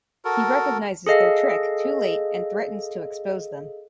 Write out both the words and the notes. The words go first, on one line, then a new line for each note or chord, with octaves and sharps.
He recognizes their trick, too late, and threatens to expose them.
F#4 A4 A#4
G#4 A4 D#5 F5